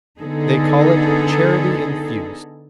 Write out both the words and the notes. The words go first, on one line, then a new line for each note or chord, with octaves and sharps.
They call it "charity infused."
D3 B3 D#4 G#4 A4